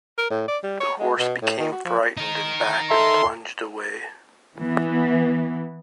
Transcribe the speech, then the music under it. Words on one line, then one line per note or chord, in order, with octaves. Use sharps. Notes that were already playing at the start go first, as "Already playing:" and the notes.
The horse became frightened and backed and plunged away.
A#4
A2
D5
G3
C#5
G#3
B2
A2
D#3
F#4
F3
D#4 A#4
A4 E5 A#5 C6
E3 B3